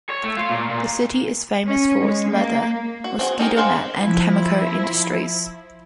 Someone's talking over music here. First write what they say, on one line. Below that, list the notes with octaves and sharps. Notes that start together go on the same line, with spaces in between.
The city is famous for its leather, mosquito net and chemical industries.
C#5
A3
F4
A#2
A#2
C#4
G#3
A#3
F#4
C4 F#4 G#4
D#4 G4 G#4 A#4
G4 G#4 C5 F5 F#5
F3 E4